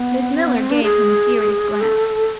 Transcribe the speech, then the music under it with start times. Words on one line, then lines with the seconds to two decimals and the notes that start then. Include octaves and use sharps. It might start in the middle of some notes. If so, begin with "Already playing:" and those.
Miss Miller gave him a serious glance.
Already playing: B3
0.34 C4
0.46 B3
0.58 C4
0.71 D4
0.83 G#4
1.81 A4